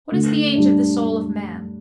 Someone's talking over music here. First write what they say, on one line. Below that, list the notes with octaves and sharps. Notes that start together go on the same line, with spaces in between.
What is the age of the soul of man?
D3 A3
G3 D4